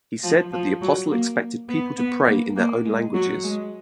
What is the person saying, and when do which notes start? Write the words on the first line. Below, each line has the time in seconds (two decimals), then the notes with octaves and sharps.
He said that the Apostle expected people to pray in their own languages.
0.23 F3
0.52 F3
0.81 F#3
1.11 A#3
1.68 B3
1.97 B3
2.27 A#3
2.55 A#3
2.85 G#3
3.14 F#3
3.43 G#3